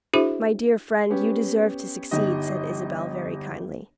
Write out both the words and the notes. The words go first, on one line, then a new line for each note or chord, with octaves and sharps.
"My dear friend, you deserve to succeed," said Isabel very kindly.
D4 E4 F#4 G#4 C5 E5
B3 C#4 G4
G1 D#4 G4 D#5